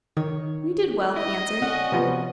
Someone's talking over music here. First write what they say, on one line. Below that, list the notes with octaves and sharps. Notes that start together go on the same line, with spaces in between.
"We did well," he answered.
D#3 C#5
E4 D#5
G3 C#4 F#4
C3 F3 B3